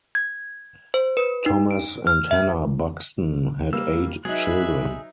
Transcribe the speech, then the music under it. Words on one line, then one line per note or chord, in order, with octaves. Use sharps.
Thomas and Hannah Buxton had eight children.
G#6
C5
B4
D#4
D7
F6
E5
G3 A#3 E6
F#3 D#4 G#4 B4 E5 F#6